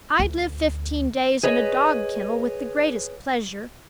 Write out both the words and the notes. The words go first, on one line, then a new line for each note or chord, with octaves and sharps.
I'd live fifteen days in a dog-kennel with the greatest pleasure.
D2
G#4 B4 C#5 D#5